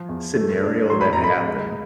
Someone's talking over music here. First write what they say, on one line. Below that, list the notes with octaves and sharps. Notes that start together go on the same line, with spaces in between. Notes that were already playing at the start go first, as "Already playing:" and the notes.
scenario that happened.
Already playing: F3
E2
A3
D4
F#3 C6
B5
A#5
F2
B5
G#3